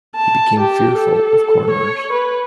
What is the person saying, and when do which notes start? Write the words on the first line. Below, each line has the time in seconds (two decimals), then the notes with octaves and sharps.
He became fearful of corners.
0.16 A5
0.60 G4
0.96 A4
1.70 C#5
2.12 B4